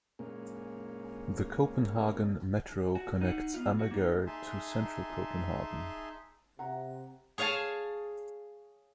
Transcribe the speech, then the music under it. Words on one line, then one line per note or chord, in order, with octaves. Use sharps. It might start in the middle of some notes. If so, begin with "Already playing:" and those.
The Copenhagen Metro connects Amager to central Copenhagen.
A#2 G#3 A#3 C#4
F#4
D#4 F#5
B3 F4
F#4
A#3 D#4
D#4 G#4 E5 G#5 A5 C6
C3 F#5 A#5
G#4 C#5 F5 G#5 A5